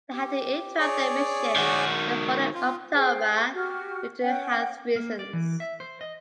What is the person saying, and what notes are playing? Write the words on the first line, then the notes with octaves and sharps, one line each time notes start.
They had to interrupt their mission the following October due to health reasons.
G4
G#4 C#5 D5
D#3 F#4
F4
G#4 C5 G5
F#4 G4 F6
C#4 F#5 G5
A#3
D5
E3
E5
C5
D#5